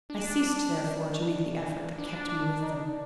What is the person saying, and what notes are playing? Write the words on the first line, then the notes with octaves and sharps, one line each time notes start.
I ceased, therefore, to make the effort that kept me with them.
D4
D4
D#4
D4